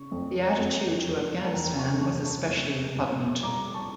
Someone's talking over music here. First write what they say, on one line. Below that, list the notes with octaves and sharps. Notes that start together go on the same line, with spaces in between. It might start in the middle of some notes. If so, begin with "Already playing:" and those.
The attitude to Afghanistan was especially repugnant.
Already playing: C#3 C#6
F2
F2
F2
A5
E2 G5 A#5
A5 C#6
E2 A5 C#6
A5 C#6
F2
F2
G3 A#5 D6
A5 C#6